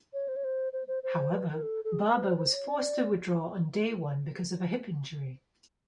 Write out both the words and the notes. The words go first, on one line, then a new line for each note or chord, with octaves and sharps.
However, Barber was forced to withdraw on day one because of a hip injury.
C#5
C5
C#5
C5
C5
C5
C5
B4
A#4
A4
A4
G#4
A#4
B4
C5
C5
C#5
D5